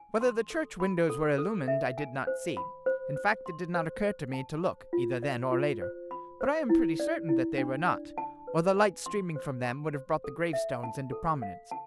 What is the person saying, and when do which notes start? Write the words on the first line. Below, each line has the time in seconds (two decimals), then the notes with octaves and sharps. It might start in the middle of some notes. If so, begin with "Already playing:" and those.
Whether the church windows were illumined I did not see--in fact, it did not occur to me to look, either then or later--but I am pretty certain that they were not, or the light streaming from them would have brought the gravestones into prominence.
Already playing: G#5
0.21 C6
0.50 A4
0.80 B5
1.10 A4
1.38 A4
1.68 E5
1.98 G#5
2.27 C5
2.57 B5
2.86 C5
3.16 C5
3.46 C6
3.75 C5
4.05 C5
4.33 A5
4.63 C5
4.93 F4
5.23 D5
5.52 F4
5.82 C5
6.11 B5
6.41 C5
6.70 E4
7.00 D5
7.29 E4
7.58 D4
7.87 D5
8.18 A5
8.47 B4
8.77 G#5
9.06 C6
9.36 C5
9.65 C6
9.94 C5
10.24 A4
10.53 E5
10.83 A5
11.12 A4
11.42 F5
11.71 A5